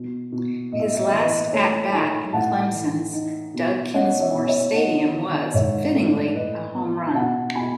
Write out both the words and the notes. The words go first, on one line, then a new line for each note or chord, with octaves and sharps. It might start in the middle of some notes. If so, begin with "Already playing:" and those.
His last at-bat in Clemson's Doug Kingsmore Stadium was, fittingly, a home run.
Already playing: B2
B2
A2 D#5
E5
D#5
E5
D#5
E3 E5
B4 D#5
D#5
A3 C#5 E5
D#4 G#5 B5
A2 F#5 A5
E3
D#4
B2
C#4 D#5 F#5
C#5 E5
B2
C#5 E5
D#4 D#5 F#5
D#3
G#2 C#5 E5
A3
A2 B4 D#5
B3
B2 F#5 A5
B2 G#5 B5